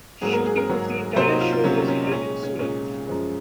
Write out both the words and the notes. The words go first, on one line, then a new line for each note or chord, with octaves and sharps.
Shooting of the entire show was held in Surat.
G#2 F#3 A#3 G#4
A#4
G#4
A#4
G#2 F#3 A#3
C3 F#3 A#3 C5
D#4
F4
F4
C3 F#3 A#3 C#4
C#4
A#2 G#3 C#4
C#4
A#2 G#3 C#4
F#2 F3 G#3